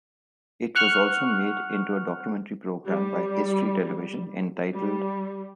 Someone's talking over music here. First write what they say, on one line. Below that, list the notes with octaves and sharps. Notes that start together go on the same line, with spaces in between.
It was also made into a documentary program by History Television, entitled "".
F#5 C#6 F6 F#6
G3
G3